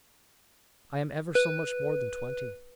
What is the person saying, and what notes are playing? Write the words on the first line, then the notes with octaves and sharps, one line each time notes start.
I am ever so much more than twenty.
B4